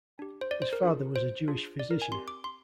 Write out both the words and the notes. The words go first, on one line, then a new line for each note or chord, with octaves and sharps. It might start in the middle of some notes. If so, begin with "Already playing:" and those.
His father was a Jewish physician.
D4 G4
C5
D5
C5
A#4
D4 F4 G#4
C5
D4 F4 G#4
D5
A#4
G#5
C4 G4 C6
D6
C6